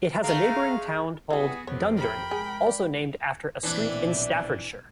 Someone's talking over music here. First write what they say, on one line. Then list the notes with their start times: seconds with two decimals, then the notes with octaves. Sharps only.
It has a neighbouring town called Dundurn, also named after a street in Staffordshire.
0.24 G#3 A3 F5 A#5
1.30 E3 G3 B3 F#4 G#4
1.67 F2 C3 B3 C#5
1.97 A#4 G5 B5
2.31 G#3 G#4
2.66 D5
3.63 B1 A#2 E3 C4 D4 E4 D5